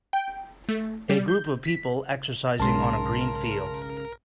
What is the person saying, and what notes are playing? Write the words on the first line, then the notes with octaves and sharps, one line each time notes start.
A group of people exercising on a green field.
G5
A3
G3
G6
B6
B1 G#2 C#3 G#3 C#4 A#4 A5 C6